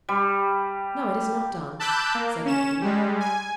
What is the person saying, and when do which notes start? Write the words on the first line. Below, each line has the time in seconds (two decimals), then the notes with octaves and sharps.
"No, it is not done," said Maggie.
0.09 G3
1.79 A5 B5 D6 E6 F#6 G6
2.15 A#3
2.45 C#4 E7
2.81 G3 G#3
3.20 G#5